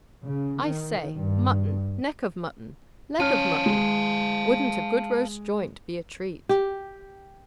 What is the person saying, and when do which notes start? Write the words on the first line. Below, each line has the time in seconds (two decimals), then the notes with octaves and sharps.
"I say, mutton--neck of mutton--leg of mutton! Wouldn't a good roast joint be a treat?"
0.24 C#3
0.61 D#3
1.16 G2
3.20 C#4 F5 A5 F6
3.66 G#3
6.49 G4